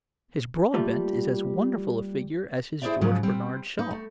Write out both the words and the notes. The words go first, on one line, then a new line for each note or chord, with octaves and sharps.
His Broadbent is as wonderful a figure as his George Bernard Shaw.
G3 A3 A#3 F4
E4 G#4 B4 C5 D5 E5
G#2 C#3 F3 F#3
G3 C4
D#4 B4
A3